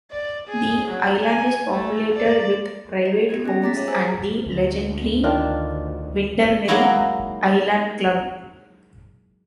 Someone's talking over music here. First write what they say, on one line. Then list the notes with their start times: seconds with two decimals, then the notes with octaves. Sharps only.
The island is populated with private homes and the legendary Windermere Island Club.
0.11 D5
0.48 G#4
0.89 F#3
1.20 G#5
1.71 A3
2.15 D5
3.06 D#5
3.29 B3 F4 G4 G#6
3.44 C#4 G#4 D#5 A#6
3.62 F4 G#4 A#5 D6 A6 B6
3.76 G#4 C#5 E5 A#5
3.87 C5 E5 G#5 E6
4.46 D2
5.24 D#3 D4 F4
6.68 F#3 G#3 A#3 D#4 E4 F#4